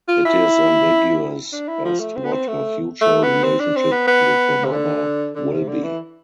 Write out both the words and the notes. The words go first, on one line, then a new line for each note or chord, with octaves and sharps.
It is ambiguous as to what her future relationship with her mother will be.
F4
E4
D4
E4
F3
A3
C4
B3
C4
A3
A3
B3
C4
D4
C4
B3
B3
C3
D3
D3
C3
D3
E3